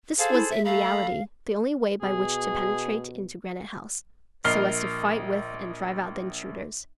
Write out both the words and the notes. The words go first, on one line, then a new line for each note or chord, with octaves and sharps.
This was in reality the only way by which to penetrate into Granite House so as to fight with and drive out the intruders.
G#4 A4 C5 F5
E4
E5
A3 F5 A#5 B5
B2 G#4
A#1 A#4 D#5 F6 C7 G7